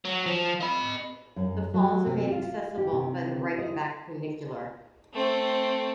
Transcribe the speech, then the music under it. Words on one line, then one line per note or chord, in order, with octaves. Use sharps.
The falls are made accessible by the Reichenbach Funicular.
F#3
F3
D#5 B5
F#2
F#3
C3
F4
G4
C3
D#5
A3 C4